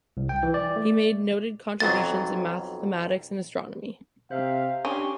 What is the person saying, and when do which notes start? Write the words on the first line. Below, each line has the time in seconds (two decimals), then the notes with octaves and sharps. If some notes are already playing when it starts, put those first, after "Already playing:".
He made noted contributions in mathematics and astronomy.
0.17 C2
0.29 G5
0.43 E3
0.54 D5
0.76 A3
1.80 B1 F2 F#3 A6
4.31 C3 C5 E5 F5
4.85 C#4 D4 G4 G5 C6 C#6